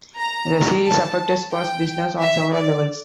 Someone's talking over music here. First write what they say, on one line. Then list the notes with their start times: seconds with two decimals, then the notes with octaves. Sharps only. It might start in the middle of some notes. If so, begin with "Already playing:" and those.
The series affected Square's business on several levels.
0.18 A#5
0.85 A5
1.53 G5
2.20 E5
2.54 D5